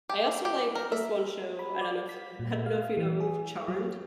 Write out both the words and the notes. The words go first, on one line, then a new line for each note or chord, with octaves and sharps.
I also like this one show, I don't know if I don't know if you know of Charmed,
G4
G4
A#4
E5
B5
D5
B6
A#2
F5
E3
G#4
F#3